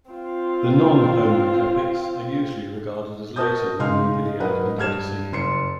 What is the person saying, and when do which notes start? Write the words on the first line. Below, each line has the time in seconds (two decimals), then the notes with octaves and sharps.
The non-Homeric epics are usually regarded as later than the "Iliad" and "Odyssey".
0.10 C4 F4
3.36 F#4 A#4 A5 D#6 G6
3.79 C#3 G#3 D#4 C6 F6
4.40 F#3 D#4 A#4 B4 D#5 F#5
4.78 G2 F6 G#6 E7
5.32 F#1 C6 C#7